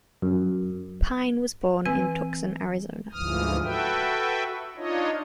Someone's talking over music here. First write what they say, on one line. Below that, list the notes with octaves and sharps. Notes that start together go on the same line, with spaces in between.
Pine was born in Tucson, Arizona.
F#2
E3 C4 B4 G#5 E6
D2 G#2 E3 F3 D#6 F6
F#4 A4 B4 E5 G5
D4 D#4 F4 C#5 D#5